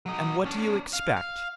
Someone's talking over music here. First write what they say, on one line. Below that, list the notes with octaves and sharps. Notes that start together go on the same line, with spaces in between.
"And what do you expect?"
F#3 D#5
C#4 D4
F5
F5